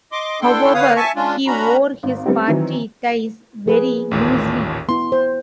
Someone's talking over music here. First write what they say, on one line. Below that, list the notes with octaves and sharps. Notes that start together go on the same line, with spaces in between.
However, he wore his party ties very loosely.
D#5 C6 D6
D4 E4 A4 G5 C6
D3 B4 C#5 F5 D#6
E5 G#5 A5 C#6
G#3 C#4 D4 F4
C#4 D4 F#4 A#5 B5
G#1
G3 B3 C4 G4
D#3 E3 F#3 C4
F3 G#4 B4
A1 D#2 A#2
B3 E4 C6
C5